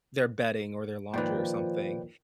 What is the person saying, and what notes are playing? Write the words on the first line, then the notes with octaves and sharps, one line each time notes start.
their bedding or their laundry or something,
A#2 D#3 F3 B4 D5 G5